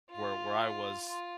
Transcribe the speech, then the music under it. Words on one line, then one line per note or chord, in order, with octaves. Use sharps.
where where I was,
F4
F4